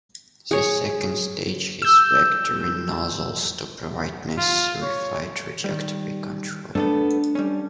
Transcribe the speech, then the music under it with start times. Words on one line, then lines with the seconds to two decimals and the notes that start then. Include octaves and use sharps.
The second stage has vectoring nozzles, to provide necessary flight trajectory control.
0.51 G#4 C#5
1.82 E6 G6
4.38 F4
4.82 C#5
5.64 D#3 G3
6.75 A3 B3 D4 A4
7.35 G3 C#4